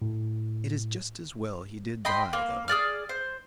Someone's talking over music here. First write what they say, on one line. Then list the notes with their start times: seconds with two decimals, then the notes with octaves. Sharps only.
"It is just as well he did die, though."
0.02 A2
2.05 D#5 G5 B5 C6
2.33 A#3
2.68 G#4 B4 D5 F6
3.09 C5